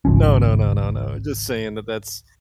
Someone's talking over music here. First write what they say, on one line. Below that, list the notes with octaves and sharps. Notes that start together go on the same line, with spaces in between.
No, no, no, no, no, just saying that that's
G#1 C#2 F3 C#4